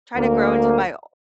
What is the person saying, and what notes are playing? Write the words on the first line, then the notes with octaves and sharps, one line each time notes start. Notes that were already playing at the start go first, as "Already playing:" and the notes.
trying to grow into my o
D2 A#3